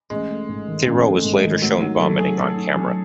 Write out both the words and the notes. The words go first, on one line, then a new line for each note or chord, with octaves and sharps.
Theroux was later shown vomiting on camera.
A1 G#3
A3
G#2
D#3
A1
A3
G#2
D#3
A2 F#3
F#3 D#4
F#3 A3
A3 G#4
A2 A4
D#4
F#3